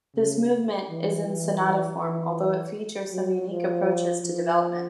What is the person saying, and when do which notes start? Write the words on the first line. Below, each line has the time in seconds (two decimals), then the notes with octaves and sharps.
This movement is in sonata form, although it features some unique approaches to development.
0.16 C#3
0.89 E3
1.26 E3
2.01 E3
3.12 F#3
3.49 F3
4.23 F3